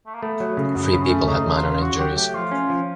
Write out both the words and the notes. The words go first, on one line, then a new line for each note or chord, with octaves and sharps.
Three people had minor injuries.
A3
A#3
A3 B3
F#3
C#3
F#2 B3
C#3
C#4
A3
C#3 D#4
C#3
F4
C#3
F#3 F#4
F#3 G4
A3 G4
F3 F4
C#4
F3